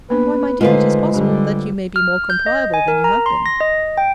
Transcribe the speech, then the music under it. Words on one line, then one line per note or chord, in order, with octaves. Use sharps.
Why, my dear, it is possible, that you may be more compliable than you have been.
A#3 B3 D4 B4
D3 D#3 G#3 A3 F4 B4 C5
D3 G3 D4 G4
F6
G6
D#5
G#5
A#4
A#5
C6
A#6
D#5
G5